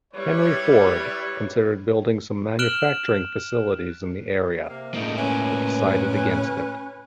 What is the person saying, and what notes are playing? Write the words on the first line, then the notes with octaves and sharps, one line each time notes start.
Henry Ford considered building some manufacturing facilities in the area but decided against it.
G3 E4 B4 C#5
F6 F#6 D7 E7 F#7 G7
C3 A#3
A2 C#3 A3 A#3 D#4
C#4 B4